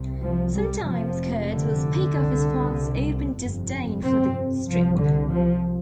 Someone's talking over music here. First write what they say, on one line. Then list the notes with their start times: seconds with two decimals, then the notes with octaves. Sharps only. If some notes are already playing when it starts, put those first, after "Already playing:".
Sometimes Kurtz will speak of his father's open disdain for the strip.
Already playing: C2 C3
0.22 F3
0.54 G3
0.86 F1 F2 C3 F3
1.49 D3
2.13 C2 C3
3.39 G1 F2 C3
4.02 C4
4.66 C2 C3 F3
4.97 D3
5.30 F3